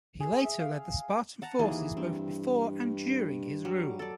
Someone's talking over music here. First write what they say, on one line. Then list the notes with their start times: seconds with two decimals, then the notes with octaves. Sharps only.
He later led the Spartan forces both before and during his rule.
0.20 G#4
0.44 E5
0.60 F5
1.42 F#5 A5 A#5
1.59 D#2 E3 A#3 G#4
1.97 G2 C4
3.65 F#3 G3
3.99 A4 D5